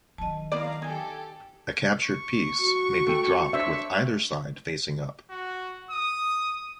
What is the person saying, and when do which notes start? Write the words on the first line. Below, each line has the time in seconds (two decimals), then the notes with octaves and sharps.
A captured piece may be dropped with either side facing up.
0.18 D#3 F#3 D#5 A5
0.52 B3 E4 D5 F5 A#5
0.82 D#4 G4 A4 G#5 G#6
2.07 C#6
2.59 F#4
3.07 A3 G5
3.53 D4 C5 C#5 E5
5.31 F#4
5.91 D#6